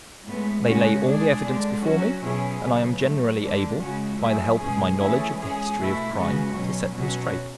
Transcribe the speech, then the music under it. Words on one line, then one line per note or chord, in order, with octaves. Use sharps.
They lay all the evidence before me, and I am generally able, by the help of my knowledge of the history of crime, to set them straight.
A2 G#3 B3
C#3 G#3 C#4 F#4
G#3 D4 G#4
D3 G#3 D4
F#3 C#4 F#4
B2 F#3 C#4 E4 G#4
C#3 F#3 B3
A2 F#3 A3
D3 G#3 D4
C#3 G#3 C#4 F#4
F#3 A3 E4 G#4
B2 G#3 C#4 G#4
E3 A3 C#4 E4 G#4
G#3 C#4 G#4
B2 A3 E4
C#3 G#3 B3 F#4
B2 F#3 C#4
B2 F#3 C#4 F#4